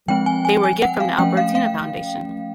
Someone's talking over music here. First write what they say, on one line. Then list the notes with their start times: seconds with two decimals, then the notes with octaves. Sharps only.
They were a gift from the Albertina Foundation.
0.08 F3 G#3 C4 G5
0.26 G#5
0.45 G#5
0.63 G#5
0.82 F#5
1.00 F5
1.18 F3 A3 C#4 G5
1.37 F5
1.55 F5